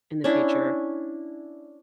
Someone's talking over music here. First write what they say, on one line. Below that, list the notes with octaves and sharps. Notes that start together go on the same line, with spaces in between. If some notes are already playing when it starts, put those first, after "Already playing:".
in the future,
C#4 D4 E4